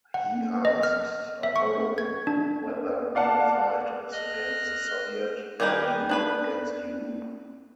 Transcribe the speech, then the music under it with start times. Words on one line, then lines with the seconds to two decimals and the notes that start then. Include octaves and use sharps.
He asks Apollo whether the fight is against the Soviet, or you against you?
0.14 F#5
0.65 D#5
0.83 F6
1.43 E5
1.56 C#6
1.98 G#6
2.27 D4
3.15 D5 F5 F#5 A5
4.12 D#5 F6 F#6
5.60 D#3 G3 D#4 G#4 B4
6.09 D4 B4 B5